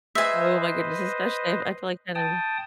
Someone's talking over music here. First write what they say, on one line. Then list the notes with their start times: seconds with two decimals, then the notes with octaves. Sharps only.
Oh my goodness, especially if I feel like, kind of
0.15 B4 C5 D#5 E5 G#5
2.15 G5 A5 D#6